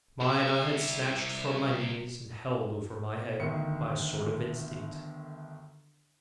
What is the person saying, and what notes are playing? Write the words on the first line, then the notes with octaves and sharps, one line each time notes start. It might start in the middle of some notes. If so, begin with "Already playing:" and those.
Mine I had snatched from my knees and held over my head, by a sort of instinct.
C2 E5
G1 D2 D#3 C#7